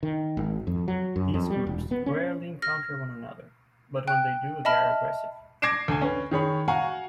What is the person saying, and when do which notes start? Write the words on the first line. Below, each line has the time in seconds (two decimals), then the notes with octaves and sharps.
These groups rarely encounter one another, but when they do, they are aggressive.
0.03 D#3
0.37 G#1
0.67 F2
0.88 F#3
1.16 F#2
1.34 F2
1.50 G3
1.67 E1
1.91 B3
2.06 C#4
2.62 F6 A#6
4.07 G5 F#6
4.65 D#5 E5 A5 B5 F6
5.62 D6 G#6 A#6 C7 D7 E7
5.88 D2 G#5
6.02 C#4 B4
6.31 D#3 G#4 C#5 B5
6.68 F#4 F5 F#5 G#5 A#5 C#6